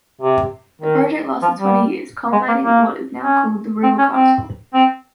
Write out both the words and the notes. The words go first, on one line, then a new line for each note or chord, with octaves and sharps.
The project lasted twenty years, culminating in what is now called the "Rubel Castle".
C3
D#3
F3
G3
G#3
A#3
A#3
C#4
C4
C#4
C4
C4